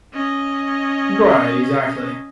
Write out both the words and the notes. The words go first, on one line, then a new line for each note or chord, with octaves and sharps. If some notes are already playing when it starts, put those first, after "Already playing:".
Right. Exactly.
C#4 D#5